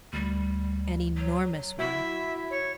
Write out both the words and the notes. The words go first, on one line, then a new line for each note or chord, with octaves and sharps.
"An enormous one."
D2 G3
F#3
E4 F#4 E5
C#5